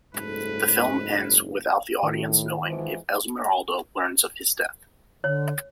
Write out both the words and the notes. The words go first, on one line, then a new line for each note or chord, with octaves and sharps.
The film ends without the audience knowing if Esmeralda learns of his death.
F#1 G#2 A3 B4
A2 D#3
G#2 E3 F3
D3 C#5